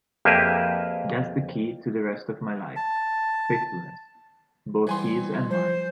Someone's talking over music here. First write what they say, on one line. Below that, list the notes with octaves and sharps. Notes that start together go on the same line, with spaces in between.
That's the key to the rest of my life: faithfulness, both His and mine.
F2 A#3 G4 G#4 B4 E5
A5
E3 G3 B3 C4 G#5 C6
F3 C5